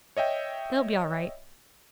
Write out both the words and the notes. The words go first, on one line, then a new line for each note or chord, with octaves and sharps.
'They'll be all right.
C#5 D#5 E5 G5